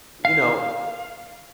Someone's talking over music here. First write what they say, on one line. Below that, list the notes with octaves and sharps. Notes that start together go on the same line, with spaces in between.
You know,
F5